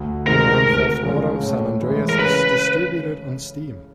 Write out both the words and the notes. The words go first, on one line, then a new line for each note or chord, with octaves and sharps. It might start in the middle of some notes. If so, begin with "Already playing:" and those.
"Grand Theft Auto: San Andreas" is distributed on Steam.
Already playing: D2
C3 D#3 G#3 C4 A#4
D2
C#3 F3 G#3
A2
E3 G#3
A#4
C#3 B4